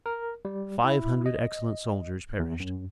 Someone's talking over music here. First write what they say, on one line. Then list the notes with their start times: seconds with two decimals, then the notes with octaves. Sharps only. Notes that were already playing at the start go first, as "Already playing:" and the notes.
Five hundred excellent soldiers perished.
0.06 A#4
0.45 G3
0.84 E4
1.26 D#5
2.40 E2
2.60 F#2